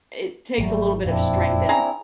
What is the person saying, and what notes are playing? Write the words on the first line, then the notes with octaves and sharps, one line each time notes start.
it takes a little bit of strength and
G#1 C3 F#3 G3 A3
F#1 F2 A#2 C4 D4 E4
G#4 A#5